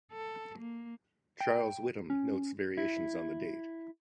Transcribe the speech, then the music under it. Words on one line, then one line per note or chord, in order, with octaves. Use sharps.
Charles Whitham notes variations on the date.
A4
A#3
G5
C#4
E4